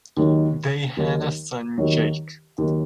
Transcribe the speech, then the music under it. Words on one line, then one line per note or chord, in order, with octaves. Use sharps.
They had a son Jake.
D#2 D#3 F#3
D#2 D#3 F#3
D#2 D#3 F#3
D#2 D#3 F#3